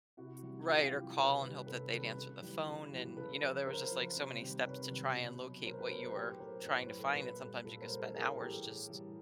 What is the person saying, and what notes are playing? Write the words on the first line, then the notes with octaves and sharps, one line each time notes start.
T Right, or call and hope that they'd answer the phone, and, you know, there was just, like, so, many steps to try and locate what you were trying to find, and sometimes you could spend hours just
C3 E4 F#4
E3 G3
C3 F4 G4
F4 G4
E3 G3
C3 B4 C#5
D#3 G3
C3 A4 B4
D#3 G3 A4 B4
C#3
E3 G3
C#3
E3 G3
C#3 A4 B4
F3
C#3 A#4 C5
F3
C3
D#3 G3
C3 B4 C#5
D#3 G3
B2
F#3
B2 A#4 C5
A4 B4
F#3 A#4 C5
A4 B4
A2 G4 A4
F#3 A#4 C5
A2 B4 C#5
B4 C#5
F#3
A4 B4
A#4
A#2 A4 B4
G3
A#2 A4 B4
A#4 C5
G3
A4 B4
A2 G#4 A#4
E3 G3 G4 A4
A2
E3 G3